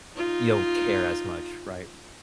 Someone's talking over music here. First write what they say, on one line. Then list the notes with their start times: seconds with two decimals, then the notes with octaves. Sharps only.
you don't care as much, right?
0.15 D#4 F4